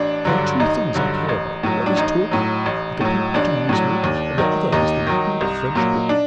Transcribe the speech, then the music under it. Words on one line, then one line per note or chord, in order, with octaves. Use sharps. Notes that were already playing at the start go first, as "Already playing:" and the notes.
There are two things I care about--one is talk, with the people that amuse me, and the other is the reading of French books.
Already playing: A1 D4
G2 D3 F#3
A1 D#4
G2 D3 F#3
A1
A2 F#3
D4
A1 D#4
A2 F#3
A1
A2 F#3
A1 D4
A2 F#3
D#2
D#3 F#3
D#2 D#4
D#3 F#3
C2
A#2 F#3
D4